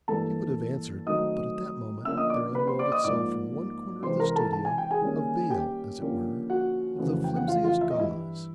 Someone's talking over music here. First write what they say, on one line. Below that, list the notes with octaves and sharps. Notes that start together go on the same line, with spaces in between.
He would have answered, but at that moment there unrolled itself from one corner of the studio a veil, as it were, of the flimsiest gauze.
G2 E3 G3 A#3 A4 A5
D#3 F#3 A3 C4 D#4 D#5 D#6
D3 F3 A#3 C#4 E5 E6
D#5 D#6
D5 D6
B4 B5
C5 C6
D5 D6
D#5 D#6
G#2 F3 A#3 D5 D6
C3 E3 G#3 C4 C5 C6
A#4 A#5
A4 A5
A5
G#5
G5
G#4 G#5
D#3 G3 A#3 C#4
G4 G5
D3 F3 A#3 C#4
F#4 F#5
F2 C#3 E3 A3
G5
F#5
F4 F5
F4 F5
E5
D#5
G2 E3 G3 E4 E5